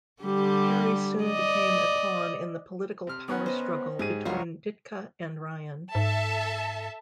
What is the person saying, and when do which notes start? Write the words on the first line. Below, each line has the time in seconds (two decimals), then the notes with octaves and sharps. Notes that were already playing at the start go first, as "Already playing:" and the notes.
Perry soon became a pawn in the political power struggle between Ditka and Ryan.
0.23 D3 G3 G4
1.23 D5 D#5
3.07 C3 F6
3.28 D#3 B3 C#4 F#5
3.46 C5 D#5
3.99 G#2 G4 G#4 D#7
4.25 C#2 G2 F#3 F4 F#4 A#4 C#5
5.95 G#2 A4 E5 A5